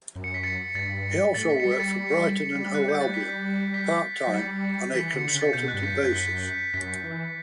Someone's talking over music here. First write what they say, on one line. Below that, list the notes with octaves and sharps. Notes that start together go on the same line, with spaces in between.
He also worked for Brighton and Hove Albion part-time on a consultancy basis.
F#2
C#7
B6
A6 C#7
G2 A6
A2 A6
B6
C#7
G3 B6
A6 C#7
G3
F#6
G6
A6
B6
B6
A6
F#3 B6
G3 A6 C#7
E3 B6
D3 C#7
C#3 B6
A6
B2 G6
F#6
G2
B6
F#2
B6
B6
F#2 B6
E3